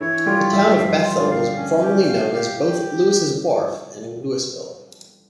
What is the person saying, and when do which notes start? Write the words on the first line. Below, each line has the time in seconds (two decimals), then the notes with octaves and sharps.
The town of Bethel was formerly known as both Lewis' Wharf and Lewisville.
0.01 E3 E4 C#5
0.26 G3 F4 G4
0.53 G3 G4 E5
0.78 F3 F4 F5
1.04 F4
1.17 D3 D4
1.31 F5
1.57 C#4
1.83 G4
2.08 F5
2.34 G4
2.60 G4